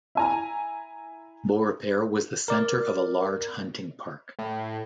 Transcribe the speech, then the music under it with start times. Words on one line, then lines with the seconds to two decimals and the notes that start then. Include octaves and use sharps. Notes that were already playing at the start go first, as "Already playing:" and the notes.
Beaurepaire was the centre of a large hunting park.
0.15 E4 G#5 A#5
2.48 A#4 D5
4.39 A2